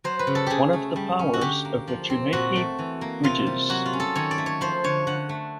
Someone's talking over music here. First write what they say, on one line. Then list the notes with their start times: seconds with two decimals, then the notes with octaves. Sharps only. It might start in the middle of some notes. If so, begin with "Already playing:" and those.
One of the powers of the Chernihiv bridges.
0.04 F#3 C5
0.19 B4
0.27 C#3
0.35 A4
0.46 C#3 G4 G#4
0.73 A3
0.96 G3
1.19 C#4
1.34 F#4
1.41 D3 G4
1.65 A#3
1.88 F3
2.10 C4
2.33 A#2 F#4
2.56 A3
2.79 E3
3.01 A#3
3.24 C3 F4
3.47 G3
3.69 F#3 F#4
3.86 F4
3.93 C#4
4.00 A4
4.15 D#3 C#5
4.31 D5
4.38 A3
4.46 C#5
4.61 F3 C5
4.84 D3 C#5
5.07 D3 F#5
5.29 A3